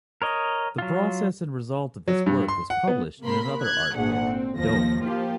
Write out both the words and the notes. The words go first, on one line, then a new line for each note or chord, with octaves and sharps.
The process and result of this work was published in another art book, "Dome".
A#4 C#5 D#5
F#3 F4
F#3
G2
C6
F#5
B3
C3 A#3 A#4 B5 C6
F#6 G#6
G#1 D2 A#2 G#4 F#5
C4
D#2 F3 A#6
F3 A#3 F4 G4